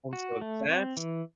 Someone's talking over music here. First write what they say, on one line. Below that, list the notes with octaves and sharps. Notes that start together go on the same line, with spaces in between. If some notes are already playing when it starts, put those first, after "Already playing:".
And so that's
F#4
A3
C4
E3